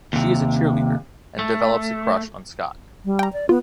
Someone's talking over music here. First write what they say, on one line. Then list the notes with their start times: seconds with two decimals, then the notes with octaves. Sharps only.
She is a cheerleader and develops a crush on Scott.
0.13 D#2 C3
1.39 A3
3.05 G3
3.19 G5 A#5
3.33 D5
3.49 B3 F4